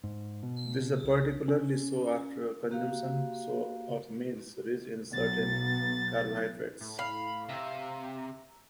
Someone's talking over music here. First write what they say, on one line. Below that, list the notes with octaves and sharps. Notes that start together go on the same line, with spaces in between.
This is particularly so after consumption of meals rich in certain carbohydrates.
G#2
B2
C2
C#4
A#3 F#4 G4 F5
B1 F#3 B3 A6
A2
F5 B5
C3 E5 A#5